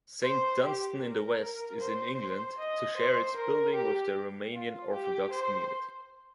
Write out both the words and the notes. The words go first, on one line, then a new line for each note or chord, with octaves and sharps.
Saint Dunstan-in-the-West is in England to share its building with the Romanian Orthodox community.
C5
G4
A#4
C5
D#5
C5
A#4
G4
F4
G4
C5